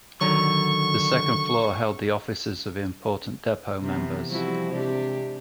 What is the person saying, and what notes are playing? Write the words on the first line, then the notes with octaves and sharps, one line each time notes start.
The second floor held the offices of important depot members.
D3 D#3 F#3 C#6
C3 E3 B3
F3 G3 C4 E4 F#4
C3 G#3 D4 G4